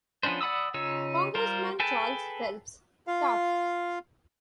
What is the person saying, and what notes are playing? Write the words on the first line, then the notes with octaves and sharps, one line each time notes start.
Congressman Charles Phelps Taft.
F3 B3 C#4 D4 C5
D5 F#5 B5 D#6 E6
C#3 D#4 F4 C#5 E6
G3 F4 A#4 C5
G#4 A4 B4 G5 A5
F4 F5